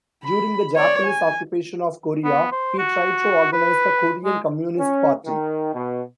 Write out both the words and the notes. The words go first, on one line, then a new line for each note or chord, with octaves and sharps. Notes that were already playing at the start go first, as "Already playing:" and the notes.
During the Japanese occupation of Korea, he tried to organize the Korean Communist Party.
B5
C#5 D5
G#5
B3
C5
F#4
B4
G#3
C#4
D#3
B2